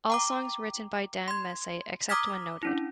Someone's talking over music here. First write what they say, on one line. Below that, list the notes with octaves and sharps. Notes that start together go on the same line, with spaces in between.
All songs written by Dan Messé, except when noted.
G5 A#5 D6
C6 G#6
A#5 D6 D#6 F6 G#6 B6
C#4 D4 E4